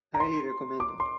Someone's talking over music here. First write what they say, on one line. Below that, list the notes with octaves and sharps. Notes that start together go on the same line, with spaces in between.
Highly recommended.
A#5
C6
D6
C6